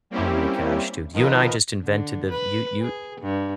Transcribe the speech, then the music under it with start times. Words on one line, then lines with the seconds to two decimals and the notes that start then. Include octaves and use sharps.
Oh my gosh, dude. You and I just invented the you you
0.10 G3 A#3 C4 C#4 E4 G4
1.13 D#3 F3 A#4 B4 D#5
1.84 D3
2.31 B4
2.81 G#4
3.21 G2